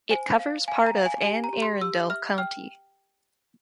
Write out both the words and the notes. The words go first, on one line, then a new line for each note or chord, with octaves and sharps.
It covers part of Anne Arundel County.
C5 G#5
F5
F5 G#5
A#5
F5
G#5
G4 G#5
A#5
G4
C6
G4 E6
E5 F6
G5 F6